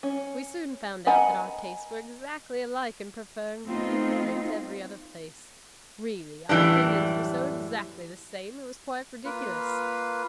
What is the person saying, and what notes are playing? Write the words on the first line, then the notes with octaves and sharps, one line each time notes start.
We soon found out that our tastes were exactly alike in preferring the country to every other place; really, our opinions were so exactly the same, it was quite ridiculous!
C#4
D#5 F#5 G#5 A#5 B5
A3 B3 C4 D#4 F4
F#2 A2 E3 G3 D4
A#3 F4 B4